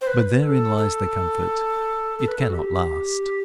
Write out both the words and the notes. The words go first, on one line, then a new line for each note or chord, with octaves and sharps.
But therein lies the comfort--it cannot last.
C5
B4
A4
A4
A4
B4
A4
F#4
G4